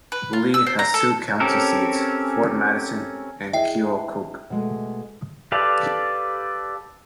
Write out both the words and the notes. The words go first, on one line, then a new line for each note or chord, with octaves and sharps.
Lee has two county seats - Fort Madison and Keokuk.
B4
F4
E6
C5
A#5
A4
C4 C#4 G4 A4 A#4
E4 G#4 D#5 E5 G5 C7
B2 G#3 A3
G4 A4 B4 D5 F5